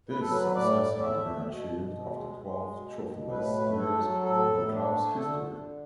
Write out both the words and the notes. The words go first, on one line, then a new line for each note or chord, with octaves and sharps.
This success has been achieved after twelve trophyless years in the club's history.
B4
F#3 A4
B4
A2 D5
A2
D5
E5
A3
B2
B2
G#3
G#3
B2
B2
A2 B4
A3
A4
F#3
A2 A4
A2
D4
A3
D3 A4
D3